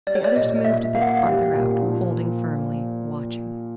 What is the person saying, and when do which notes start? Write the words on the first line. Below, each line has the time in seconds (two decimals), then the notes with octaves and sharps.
The others moved a bit farther out, holding firmly, watching.
0.07 G3 D5
0.15 C#5
0.24 D5
0.36 A#2 D#5
0.65 A#2 E5
0.94 A#3 F5
1.02 F#5
1.09 F5
1.24 G3
1.53 A#2
1.82 F3